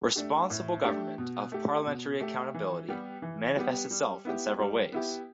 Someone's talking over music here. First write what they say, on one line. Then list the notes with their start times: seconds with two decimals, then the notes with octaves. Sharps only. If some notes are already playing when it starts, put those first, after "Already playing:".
Responsible government of parliamentary accountability manifests itself in several ways.
0.16 A3 D4 G4
0.50 A2
0.84 A3 D4 G4
1.18 B2
1.52 A3 G4
1.86 B2
2.21 A3 G4
2.54 E3
2.89 G3 B3 G4
3.22 E3
3.57 G3 B3 G4
3.91 G3
4.25 B3 E4 G4
4.59 G3
4.92 B3 E4 G4